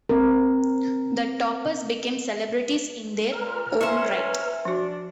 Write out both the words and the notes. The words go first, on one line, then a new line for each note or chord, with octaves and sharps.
The Toppers became celebrities in their own right.
C4 A#4
A#2 B4 A#5 F6
C#4 E4 C5 E5
F3 D4 F#4